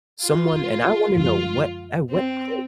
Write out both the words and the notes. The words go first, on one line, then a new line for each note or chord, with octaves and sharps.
Someone and I wanna know what at what point
F4
F#2 D3 F3 G#3 F4
C4